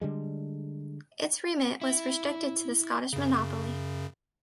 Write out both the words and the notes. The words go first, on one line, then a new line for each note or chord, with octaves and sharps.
Its remit was restricted to the Scottish monopoly.
D3 G3 G#3
E4
F#2 C#3